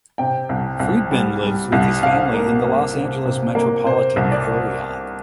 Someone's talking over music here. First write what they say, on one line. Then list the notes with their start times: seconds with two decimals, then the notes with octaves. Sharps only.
Freedman lives with his family in the Los Angeles Metropolitan Area.
0.18 C3 G5
0.49 C2
0.80 C2
1.11 G3
1.42 G3
1.72 C2
2.02 C3 F5
2.33 A#3
2.64 A#3
2.94 C3
3.25 C3
3.55 A#3
3.85 C3 C5
4.16 C2
4.32 D5